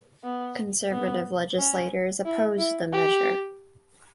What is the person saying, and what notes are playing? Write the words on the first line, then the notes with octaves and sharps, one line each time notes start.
Conservative legislators opposed the measure.
B3
B3
C#4
E4
E4
G4